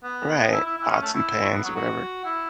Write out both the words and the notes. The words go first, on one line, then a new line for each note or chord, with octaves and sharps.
Right, pots and pans or whatever.
B3
E4
E4
E4
C#4
A3
E4
B3
F#3
F#4
E4